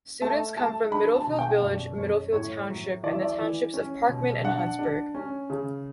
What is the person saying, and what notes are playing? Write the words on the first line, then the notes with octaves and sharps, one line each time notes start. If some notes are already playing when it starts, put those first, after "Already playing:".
Students come from Middlefield village, Middlefield township, and the townships of Parkman and Huntsburg.
A3 A5
A3 A5
D4 B5
A5
B2
G5
F#2 D5
F#2 C#5
A2 C#5
F#3
E3 D5
E5
D5
E3
C#4
B2
D4 F#5
D4
C#4
C#3